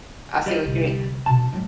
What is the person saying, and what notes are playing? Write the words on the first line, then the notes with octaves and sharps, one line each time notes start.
I see what you mean
G3 D5 D#5
C2 D3
B2 D4 A5
F#3 G#3